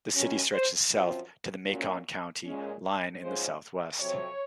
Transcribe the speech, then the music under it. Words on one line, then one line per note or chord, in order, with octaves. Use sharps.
The city stretches south to the Macon County line in the southwest.
D#2 D#3 F#3 C#4
C5
F#2 F3 C4
A#2 F#3 C#4
A#2 G#3 C#4
G#2 F3 G#3 C#4 C5
F2 C3 F#3 C4 C#5